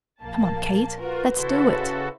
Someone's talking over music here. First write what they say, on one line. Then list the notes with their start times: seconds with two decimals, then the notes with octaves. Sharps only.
Come on, Kate, let's do it!
0.21 A#1 A#3 A5
0.99 F4 F#4 A#4 B4
1.35 C#3 E4 F#4 A4 C5